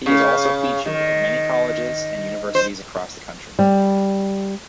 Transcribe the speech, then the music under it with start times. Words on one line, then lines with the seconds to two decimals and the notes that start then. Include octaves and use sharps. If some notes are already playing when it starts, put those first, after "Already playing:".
He has also featured at many colleges and universities across the country.
0.06 C#3
0.86 D#3
2.55 C5
3.59 G3